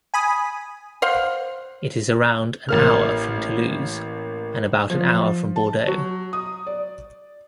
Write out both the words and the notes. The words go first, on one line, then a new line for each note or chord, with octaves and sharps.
It is around an hour from Toulouse and around an hour from Bordeaux.
G#5 B5 D#6
C5 F5 F#5
A1 A#3 F6
F3
A5
F#3
D#6
D5